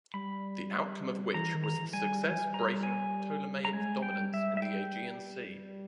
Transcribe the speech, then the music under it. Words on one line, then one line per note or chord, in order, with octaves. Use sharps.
The outcome of which was the success breaking Ptolemaic dominance in the Aegean Sea.
G3 B5
E3 A#5
D#3
A#5
E3
G3 G#5
G3 G#5
E3
G3
A#5
G#5
G3 A#5
G#3 G#5
G3 G5
G3 E5
G3 E5
G5
G3
G3